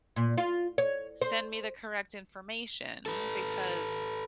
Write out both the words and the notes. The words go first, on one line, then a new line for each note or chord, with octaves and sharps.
send me the correct information because,
A#2
F4
C#5
C5
A4 B4